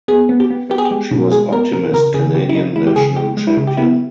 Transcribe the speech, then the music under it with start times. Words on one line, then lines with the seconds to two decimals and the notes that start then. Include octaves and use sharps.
She was Optimist Canadian national champion.
0.08 B3 G#4
0.29 B3
0.40 G4
0.50 B3
0.70 B3 G4
0.78 G#4
0.85 G4
0.91 G#3
1.11 B2
1.32 G#3 G#4
1.52 B3 A#4
1.73 B2 A#4
1.93 C#3 A#4
2.14 C#3 G#4
2.34 C#3 G4
2.49 E4
2.55 C#3 D#4
2.76 G#3 E4
2.87 G4
2.96 C#3 G#4
3.16 G#3 G4
3.37 G#3
3.47 E4
3.57 C#3
3.67 G4
3.77 B3 E4